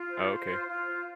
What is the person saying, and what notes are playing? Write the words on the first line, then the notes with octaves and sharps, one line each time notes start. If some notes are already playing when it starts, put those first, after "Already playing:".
Oh, okay.
Already playing: F4
C5
C5
F4
F4
C5